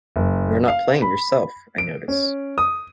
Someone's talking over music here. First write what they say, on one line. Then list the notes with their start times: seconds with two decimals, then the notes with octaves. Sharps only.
You are not playing yourself, I notice.
0.16 F#1
0.68 F5
1.02 B5
1.78 D7
2.08 C#4
2.58 D#6